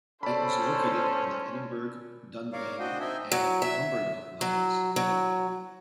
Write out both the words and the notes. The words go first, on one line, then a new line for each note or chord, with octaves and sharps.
It is located on the Edinburgh-Dunblane and Cumbernauld Lines.
C#4 A4 C5 D5 B5
A#4 C#5 D5 F5
D4 F#4 C5 D#5 G5
C4 D#4 E5 G5 G#5
F#3
E5
F#3
F#3